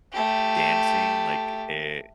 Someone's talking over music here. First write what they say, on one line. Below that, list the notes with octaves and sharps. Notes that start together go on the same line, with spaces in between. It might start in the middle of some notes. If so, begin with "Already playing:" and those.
dancing, like, e
A3 G4